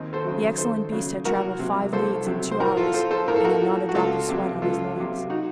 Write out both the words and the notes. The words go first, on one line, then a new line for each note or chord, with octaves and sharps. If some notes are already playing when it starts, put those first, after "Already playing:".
The excellent beast had travelled five leagues in two hours, and had not a drop of sweat on his loins.
Already playing: D#2 C4 D#4
A4 C5
C#3 F#3
D#2 A4 C5
C#3 F#3
C2 F#4 A#4
C3 F#3
C2 A4 C5
C3 F#3
C5
A2 F#4 A#4
F4 A4
F3 A4 C5
A4 C5
A2 A#4
A4
F#4 A#4
F3
F#4
C#2 F4 A4
C3 F#3
C#2 F4 A4
C3 F#3
D#4 F#4